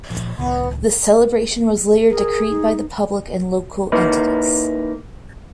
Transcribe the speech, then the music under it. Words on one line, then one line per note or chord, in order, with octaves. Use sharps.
This celebration was later decried by the public and local entities.
A#2 F3
C#2 A2 D#3 B3
G#4 A#4
D#4
A#3 D#4 E4 B4